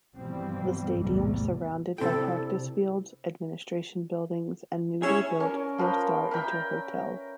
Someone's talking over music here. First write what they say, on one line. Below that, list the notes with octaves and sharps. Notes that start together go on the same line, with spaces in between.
The stadium surrounded by practice fields, administration buildings and newly built four-star Inter Hotel.
G2 B2 E3 F3 G3 C4
B1 E2 A2 C3 G3 A3
C3 C4 D4 E4 A4 G5
C#4 E4 G#4
C#4 A#4 C#5
F3 A#4 B4 G5
A#4 E5 G5